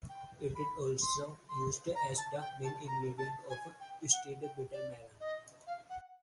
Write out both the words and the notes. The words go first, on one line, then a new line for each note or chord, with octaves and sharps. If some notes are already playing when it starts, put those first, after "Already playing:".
It is also used as the main ingredient of "stewed bitter melon".
G5
B5
C6
C6
A#5
A5
G5
A5
A#5
A5
G#5
G5
F#5
G5
D5
D#5
F5
F#5